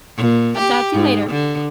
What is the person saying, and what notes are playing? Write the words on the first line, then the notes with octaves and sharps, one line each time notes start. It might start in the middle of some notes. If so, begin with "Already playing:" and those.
I'll talk to you later.
A#2
G4
G#2
D3